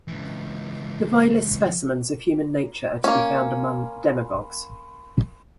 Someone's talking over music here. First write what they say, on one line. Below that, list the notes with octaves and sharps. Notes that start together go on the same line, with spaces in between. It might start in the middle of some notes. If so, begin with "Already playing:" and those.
The vilest specimens of human nature are to be found among demagogues.
C#2 E3
A#3 C#4